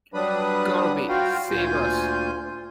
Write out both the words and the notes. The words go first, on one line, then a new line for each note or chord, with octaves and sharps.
Gorby, save us!
F#3 G3 D4 B4 B5 D#6
F4 F#4 F5 G5
D2 A#2 F4 G#5 G6